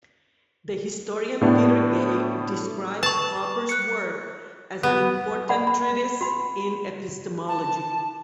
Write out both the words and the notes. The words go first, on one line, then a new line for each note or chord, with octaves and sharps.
The historian Peter Gay described Popper's work as "an important treatise in epistemology".
A2 A3 B3 D4 G4
B4 A5 C#6
F#6 C#7
B3
D5 F#5 B5
B5
F#4 B5
A5